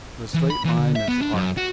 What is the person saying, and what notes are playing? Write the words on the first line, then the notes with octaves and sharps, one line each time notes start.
The straight line is Art.
E3
B5
E3
D3
E5
B3
D4
F#2
F#4